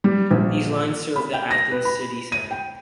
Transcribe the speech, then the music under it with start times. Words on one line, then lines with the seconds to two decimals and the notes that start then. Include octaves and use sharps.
These lines serve the Athens city centre.
0.04 G3
0.31 A#1
1.16 B5
1.33 G5
1.51 A#6
1.71 B4
1.85 B5
2.32 D#7
2.51 G5